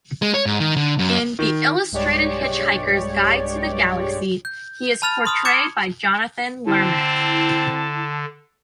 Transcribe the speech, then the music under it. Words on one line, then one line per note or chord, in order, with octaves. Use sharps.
In "The Illustrated Hitchhiker's Guide to the Galaxy", he is portrayed by Jonathan Lermit.
G#3
C#5
G#2
D#3
D3
F#2
D#3
B1 G2 G#3 G4 C#5 D5
G6
A5 B5 F6 A6 F7
C6 D#6 F6
D6 G#6 C#7 E7
D3 C4 E4 A5